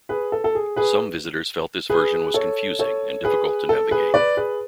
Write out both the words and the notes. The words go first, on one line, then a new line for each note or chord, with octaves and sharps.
Some visitors felt this version was confusing and difficult to navigate.
G#4 B4
A4
A4
G#4
G#4 B4
G#4 B4
A4 C#5
A4 C#5
G#4 B4
A4
G#4 B4
B4 D5
G#4 B4